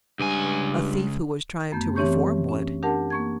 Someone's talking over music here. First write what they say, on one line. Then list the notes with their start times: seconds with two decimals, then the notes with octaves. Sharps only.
A thief who was trying to reform would.
0.19 C#2 G2 G#5
1.72 F#2 A3 B3 G6
1.96 E3 C4 G4 C#5 C#6 G6
2.49 C#4
2.83 D4 G4 A#4 F#5 A5
3.10 A#3 C#6 G#6